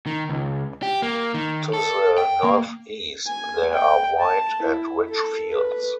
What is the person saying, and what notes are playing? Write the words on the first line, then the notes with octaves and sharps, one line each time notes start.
To the northeast there are wide and rich fields.
D#3
C#2
G4
A#3
D#3
A4
G5
A#3
G#5
G5
A5
E4
A4
B4